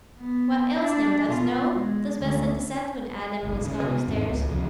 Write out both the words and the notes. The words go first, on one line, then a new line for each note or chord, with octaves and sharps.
"What ails him, dost know?" Lisbeth said to Seth, when Adam was gone upstairs.
B3
D4
B2 F4
G#3
D2
F#1 B1
C#3
C3 B3
E2 G#2 D#3 C4
C#2
C2 F2 C#3